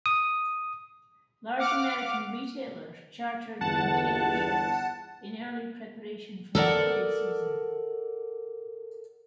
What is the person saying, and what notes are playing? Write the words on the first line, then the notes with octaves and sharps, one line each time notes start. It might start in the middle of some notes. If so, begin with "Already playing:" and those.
Large American retailers chartered container ships in early preparation for the holiday season.
D#6
F5 F#5 D6 F6
G1 E2 F#5 A5
A4 A#4 D5 F#5